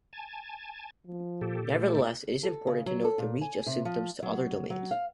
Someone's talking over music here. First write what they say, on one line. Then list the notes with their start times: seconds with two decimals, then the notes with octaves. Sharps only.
Nevertheless, it is important to note the reach of symptoms to other domains.
0.13 G#5 A5
1.07 F3
1.41 A#2 G4 A4
1.78 A3
2.43 A4
2.67 C#3
2.86 F#3
3.04 A4
3.18 A#2
3.41 G#5
3.66 C3
3.85 F3
4.23 F#3
4.70 F#3
4.91 F5